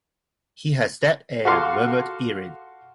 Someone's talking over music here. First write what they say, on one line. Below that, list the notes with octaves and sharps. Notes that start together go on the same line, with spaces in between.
"He has that air," murmured Erin.
F#4 A4 F5 C6 D6